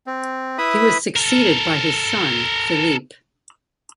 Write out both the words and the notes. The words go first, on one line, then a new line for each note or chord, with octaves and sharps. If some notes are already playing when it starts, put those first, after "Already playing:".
He was succeeded by his son, Philippe.
C4
E4 B4 E5 B5 D#6
A4 A#4